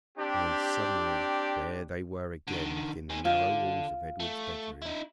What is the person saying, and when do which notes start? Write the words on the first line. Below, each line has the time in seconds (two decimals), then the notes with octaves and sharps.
And then suddenly there they were again within the narrow walls of Edred's bedroom.
0.18 C4 D4 G4
2.48 D3 D#3
3.10 D#3 G#4
3.25 D3 F4
4.20 A3
4.82 D#4 E4